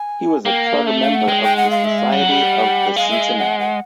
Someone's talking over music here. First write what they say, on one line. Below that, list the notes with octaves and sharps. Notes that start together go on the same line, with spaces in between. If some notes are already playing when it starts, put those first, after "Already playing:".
He was a charter member of the Society of the Cincinnati.
Already playing: G#5
A#3 G5
F5
A3 E5
F5
F#5
G#3 G5
G5
F#5
F5
E5
F5
G3 F#5
F#3
G3
G#3 F5
E5
F5
F#5
F#5